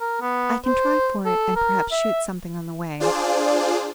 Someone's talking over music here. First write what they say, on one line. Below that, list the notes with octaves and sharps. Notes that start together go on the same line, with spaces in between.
I can try for it, and perhaps shoot something on the way.
A#4
B3
C5
A4
A#4
E5
D4 F4 G#4 C5 D5